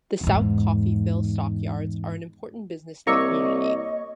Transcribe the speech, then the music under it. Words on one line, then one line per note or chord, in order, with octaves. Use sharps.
The South Coffeyville Stockyards are an important business in the community.
E2 G#2
C2 A#3 C#5 D#5 C#6 D6 E6 A#6